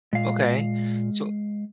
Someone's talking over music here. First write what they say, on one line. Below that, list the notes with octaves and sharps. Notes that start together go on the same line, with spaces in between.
Okay. So
A#2 G#3 F5